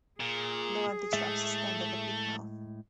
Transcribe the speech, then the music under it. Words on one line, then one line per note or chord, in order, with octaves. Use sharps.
No empty trucks stand at the pit-mouth.
A#2 G#4
A2 G#3 A3 E5